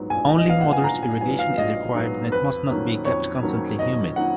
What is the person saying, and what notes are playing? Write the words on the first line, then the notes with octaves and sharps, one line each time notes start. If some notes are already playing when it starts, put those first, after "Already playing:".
Only moderate irrigation is required and it must not be kept constantly humid.
Already playing: A#1 G#2 F#3 B3
A#1 G#5
D#5
G#2 F#3 B3 F5
F#5
G#5
A#1 A#5
G#5
G#2 F#3 B3 G#5
F5
A#1 D#5
G#2 F#3 B3
F2 B4
D#3 F#3 A#3 C#4
F2 C#5
D#3 F#3 A#3 C#4
F2 D#5
D#3 F#3 A#3 C#4 F#5